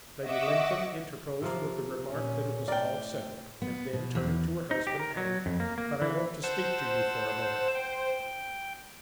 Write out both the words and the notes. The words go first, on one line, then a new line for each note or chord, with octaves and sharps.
Lady Lynton interposed with the remark that it was all settled; and then, turning to her husband, added: "But I want to speak to you for a moment."
D#5 E5 F#5 C#6 D6 E6
C3 F3 A#3
A#2 C#4
A2 A#4 D5 G5
B3
B2
E2
D#4
G4
A#4
F#3
F2
A#3
A#3
E3
C5 F#5 A5 E6
G5